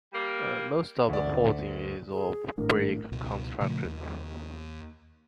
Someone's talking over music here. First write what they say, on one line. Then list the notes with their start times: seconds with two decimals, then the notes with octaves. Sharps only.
Most of the housing is of brick construction.
0.13 G3 A#3
1.09 D2 D5
2.12 G#4
2.58 G#1 A2 D4 A#4
3.12 C#2 B2
3.60 A#2 C#3 F3 A3
3.85 D#2